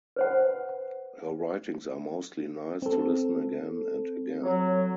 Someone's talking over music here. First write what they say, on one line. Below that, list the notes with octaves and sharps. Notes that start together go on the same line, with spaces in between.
Her writings are mostly nice to listen again and again.
B4 C5 F#5
C4 A4
F#3